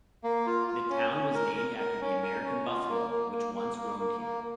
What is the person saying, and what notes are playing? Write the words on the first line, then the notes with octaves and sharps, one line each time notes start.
The town was named after the American buffalo which once roamed here.
A#3
F4
F4
C#4
C#4
A#4
A#4
A#4
C#4
A#4
C#4
F4
A#3
A#3
A#3
A#3
A#3
A#3
A#3